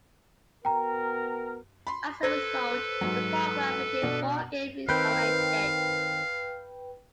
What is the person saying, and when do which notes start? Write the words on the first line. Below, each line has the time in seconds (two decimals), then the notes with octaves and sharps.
As a result, the programme became more game oriented.
0.65 B3 F#4 A#4 G5 A#5
1.87 B5 C6
2.23 A4 B4 C5 G#6 A#6
3.01 G#2 F#3
4.02 B2 D4
4.89 D#3 C4 B4 F5 G5